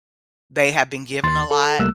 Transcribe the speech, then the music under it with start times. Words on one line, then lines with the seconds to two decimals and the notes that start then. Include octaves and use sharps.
they have been given a lot
1.23 D#2 C6 A6
1.51 A4
1.79 C2 G3 A3 A#3 E6 F#6